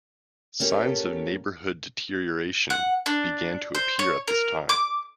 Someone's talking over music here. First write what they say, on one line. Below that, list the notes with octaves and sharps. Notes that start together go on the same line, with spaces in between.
Signs of neighborhood deterioration began to appear at this time.
A#3 C#4 G4 A4
F#5
D4
C5
C#5
A#4
D6